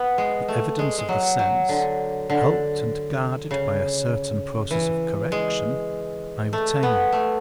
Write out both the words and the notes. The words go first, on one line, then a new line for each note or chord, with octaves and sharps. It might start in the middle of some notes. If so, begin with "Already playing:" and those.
The evidence of the sense, helped and guarded by a certain process of correction, I retain.
Already playing: B3
G#3
A3
G#3
G#3
F#3
F#3
D3
D3
C#3
E3
G#3
A3
B3
A3